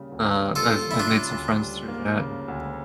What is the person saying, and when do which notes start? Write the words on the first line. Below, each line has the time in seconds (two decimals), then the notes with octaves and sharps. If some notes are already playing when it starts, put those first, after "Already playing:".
Uh, I've I've made some friends through that and
Already playing: C#3 G3 A#3
0.12 D2
0.41 G3
0.56 F4 A4
0.70 A#3
0.91 E4
0.99 C#3 D4 F4
1.30 D2
1.59 G3
1.88 A#3
2.18 C#3
2.48 D2